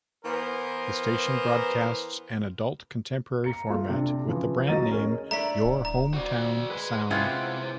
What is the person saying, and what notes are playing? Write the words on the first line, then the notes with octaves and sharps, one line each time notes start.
The station broadcasts an adult contemporary format with the brand name Your Hometown Sound.
E3 B3 A#4 C5
A#5 C#7
A3 F4
C3 D4
C#3 E3 F3
A1 F#3 D#5 A#5 A6 D#7
C#4 G#4 A#4
A3 D4 E4 A#5 B6
D1
A#5
F#4 D5
G#3 G#4 B4
C3 G#3 B3 C#4 E4 F4 F#5